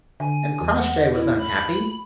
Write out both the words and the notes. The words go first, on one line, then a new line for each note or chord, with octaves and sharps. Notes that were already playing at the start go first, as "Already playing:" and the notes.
And Crossjay was unhappy?
D3 G#5
E2
F#5
E4
B5